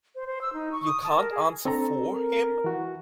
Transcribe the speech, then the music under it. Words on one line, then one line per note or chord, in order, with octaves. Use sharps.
You can't answer for him?
C5
C5
E6
D#4
C#6
D#6
A5
A#4
G#4
C4 D4 A4 A#5
A#4
E3 F#4